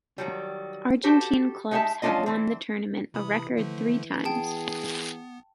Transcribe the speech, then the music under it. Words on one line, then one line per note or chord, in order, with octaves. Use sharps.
Argentine clubs have won the tournament a record three times.
D#3 F#3 G3
F#4 G4 A4 C5
G#3 D#4 G4 C5 E5 A5
F3 F#3 C#4 D4 F4 D#5
E3 C4
C3 E3 B5 D#6
D3 F3 A3
B3 G#4 G5 A5